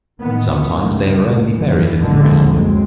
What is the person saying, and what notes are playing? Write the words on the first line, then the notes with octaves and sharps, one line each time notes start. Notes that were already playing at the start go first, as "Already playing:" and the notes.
Sometimes they are only buried in the ground.
A2 D#3 B3
C#2 D#3
F#2 E3
A#1 F2 A2 D3 G#3
F#1 C#2 G#3 C4